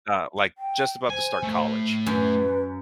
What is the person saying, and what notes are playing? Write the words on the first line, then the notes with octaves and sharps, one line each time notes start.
uh, like, just about to start college,
G5
C5 G#5
A2 A3
F#2 B4